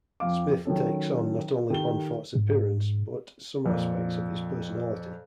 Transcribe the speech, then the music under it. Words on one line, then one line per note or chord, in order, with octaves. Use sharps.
Smith takes on not only Bonforte's appearance, but some aspects of his personality.
F2 F5 D6
D#3 F#3 C#4 A4
D#3 G4 A4 G7
G#2
F2 A#2